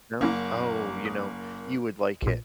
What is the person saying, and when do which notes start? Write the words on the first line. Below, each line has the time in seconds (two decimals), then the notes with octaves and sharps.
No? Oh, you know, you would like it.
0.21 F#1 A#3 B3 C#4 E4
1.05 D#6 B6
2.22 A#1 A#2